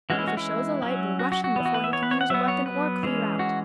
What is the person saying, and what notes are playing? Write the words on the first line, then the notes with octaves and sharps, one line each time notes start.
If he shows a light, we'll rush him before he can use a weapon or clear out.
E3 G#3 C#4 F#4
E4
F#4
E4
F#3 C#4
F#4
F#4
F#4
E3 B3
F#4
B4
E5
C#5
B4
C#5
F#5
F#3 B3 E5
C#5
B4
E3 G#3 C#4
F#4